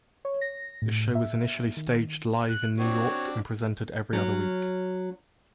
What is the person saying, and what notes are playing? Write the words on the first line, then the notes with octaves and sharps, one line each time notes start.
The show was initially staged live in New York and presented every other week.
C#5
A#6
A2
E5
D#3
F#6
C4 D4 F#4 C#5
F#3 C#4